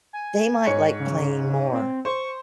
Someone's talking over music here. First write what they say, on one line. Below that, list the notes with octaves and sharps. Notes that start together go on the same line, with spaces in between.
they might like playing more.
G#5
G#2 C#5 C#7
C#3
C4
C5 C#6